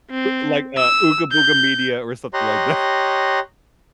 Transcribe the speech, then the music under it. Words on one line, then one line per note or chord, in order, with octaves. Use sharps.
Like, uh, Ooga Booga Media or something like that.
C4
E6
G6
G4 C#5 D#5 A#5 C6 F#6